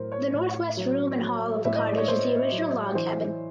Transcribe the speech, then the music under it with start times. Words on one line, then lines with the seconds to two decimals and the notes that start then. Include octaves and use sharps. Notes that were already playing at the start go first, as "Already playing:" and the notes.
The northwest room and hall of the cottage is the original log cabin.
Already playing: A2 F#3 A#4 C5
0.12 C#5
0.34 A2
0.77 F#3
1.21 F#3
1.65 A2 E5
1.75 D#5
1.87 D5
1.97 C#5
2.08 A2 C5
2.52 F#3
2.95 E3 C5